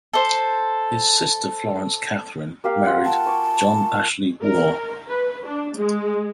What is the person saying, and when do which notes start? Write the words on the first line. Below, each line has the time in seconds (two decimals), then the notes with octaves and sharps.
His sister Florence Catherine married John Ashley Warre.
0.13 A4 C5
2.64 A#3 G4 F5
2.85 F4 F#5
3.05 G5 A5
3.26 G#5 C#6 D6
4.42 A#4
5.08 B4
5.45 D4
5.77 G#3